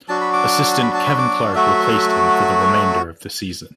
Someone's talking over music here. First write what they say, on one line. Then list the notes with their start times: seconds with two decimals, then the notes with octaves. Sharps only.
Assistant Kevin Clark replaced him for the remainder of the season.
0.08 F#3 D4 F#4 A5
0.21 B5
0.33 D6
0.82 B5
0.94 A5
1.06 B5
1.19 D6
1.55 F#3 A3 F#4 E5